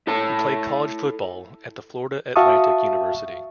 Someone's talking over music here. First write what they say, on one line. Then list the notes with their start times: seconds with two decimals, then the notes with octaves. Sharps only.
He played college football at the Florida Atlantic University.
0.07 E4 A4 C#5 A5
2.36 F#4 E5 F5 A5 C#6 D#6